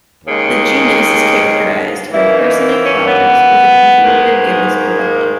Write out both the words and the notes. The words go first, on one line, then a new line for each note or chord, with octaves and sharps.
The genus is characterized by personate flowers with an inferior gibbous corolla.
D#2 C#3 G#3
F#2 E3 A#3 E4
D#4
C#4
B3
G#2 D#3 A#3
A#3